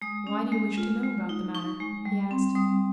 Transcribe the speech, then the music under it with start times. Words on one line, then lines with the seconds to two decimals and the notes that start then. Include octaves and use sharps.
"Why do you wish to know about the matter?" he asked.
0.02 G#3 D#6
0.27 C#4
0.52 G#3
0.78 F4
1.04 G#3
1.29 D#4
1.55 D#4 C#6
1.80 G#3
2.05 G3
2.31 C4
2.55 G3 D#6